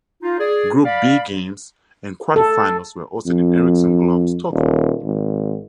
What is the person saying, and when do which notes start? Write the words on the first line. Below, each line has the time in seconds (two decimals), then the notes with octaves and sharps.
Group B games and quarterfinals were hosted in Ericsson Globe, Stockholm.
0.22 D#4 F4
0.40 G#4 D5
0.85 D5 F5 B5
2.36 A4
3.26 F2
4.52 D#1
5.04 G#1